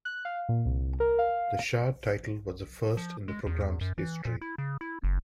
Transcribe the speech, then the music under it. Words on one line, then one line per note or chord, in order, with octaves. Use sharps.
The shared title was the first in the program's history.
F#6
F5
A#2
C2
A#4
F5
F3
G#3
E2
F#2
E3
A#2
E4
C#3
E4
F#1